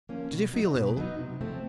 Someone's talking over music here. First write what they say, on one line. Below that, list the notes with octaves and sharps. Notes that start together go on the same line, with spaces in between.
"Did you feel ill?"
F3 A#3 C#4
B2
F#3 B3 D#4
B2
F#3 B3 D#4
C3
F3 A3 C4